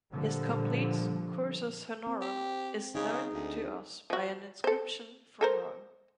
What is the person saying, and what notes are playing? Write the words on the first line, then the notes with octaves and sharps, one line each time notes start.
His complete "cursus honorum" is known to us by an inscription from Rome.
A#2 D3 F3 G3
C4
G4
C#3 D#4 G#4
D2
F3 F#4
A4 C5
A4 A#4 C5